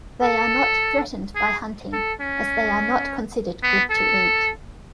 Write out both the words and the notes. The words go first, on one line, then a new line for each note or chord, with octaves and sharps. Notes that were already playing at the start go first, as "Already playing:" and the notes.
They are not threatened by hunting as they are not considered good to eat.
A4
G#4
A4
C#4
B3
A4